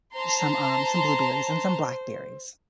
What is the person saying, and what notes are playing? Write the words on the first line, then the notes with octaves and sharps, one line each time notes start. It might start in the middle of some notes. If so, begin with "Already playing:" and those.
some um, some blueberries, and some blackberries,
C5 A5 A#5 C6